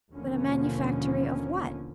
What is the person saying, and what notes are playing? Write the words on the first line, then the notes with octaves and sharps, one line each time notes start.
But a manufactory of what?
D#2 B2 D3 F3 A#3 C#4